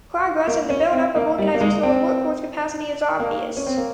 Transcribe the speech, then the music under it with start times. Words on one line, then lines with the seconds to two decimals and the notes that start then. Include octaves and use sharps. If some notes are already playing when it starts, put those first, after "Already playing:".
Progress in the build-up of organizational and workforce capacity is obvious.
0.47 A#3
0.70 C#4
0.92 C4
1.16 A#3
1.38 G3
1.54 A#3
1.61 G#3
1.83 C4
3.20 A#3
3.57 C#4
3.67 C4
3.77 A#3